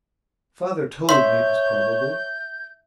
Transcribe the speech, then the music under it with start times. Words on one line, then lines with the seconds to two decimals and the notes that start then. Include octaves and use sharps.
'Father told me it was probable.'
1.09 C#5 E5 C6 G6